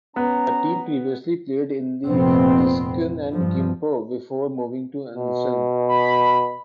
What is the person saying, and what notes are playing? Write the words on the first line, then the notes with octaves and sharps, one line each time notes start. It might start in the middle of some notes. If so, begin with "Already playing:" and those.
The team previously played in Iksan and Gimpo before moving to Ansan.
B3 C#4 A#5
F1 F2 A#2 B3 C4
G2 F3
B2
B5